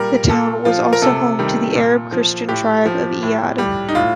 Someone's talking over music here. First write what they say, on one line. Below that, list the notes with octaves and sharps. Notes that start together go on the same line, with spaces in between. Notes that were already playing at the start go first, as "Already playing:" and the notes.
The town was also home to the Arab Christian tribe of Iyad.
Already playing: A#2 G3 A#4
A#2 A4
F3 F4
A#4
C3 A4
D#3 G3
A#2
F3
A2 G4
F3
A2
G3
D#4
A2 F4